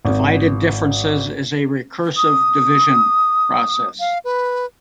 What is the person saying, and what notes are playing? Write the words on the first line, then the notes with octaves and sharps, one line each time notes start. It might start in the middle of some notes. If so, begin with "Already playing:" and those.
Divided differences is a recursive division process.
G#1
D#6
F5
B4